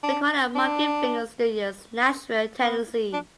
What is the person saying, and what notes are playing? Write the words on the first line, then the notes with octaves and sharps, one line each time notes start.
Recorded at Monkey Finger Studios, Nashville, Tennessee.
D4
D4
B3
D4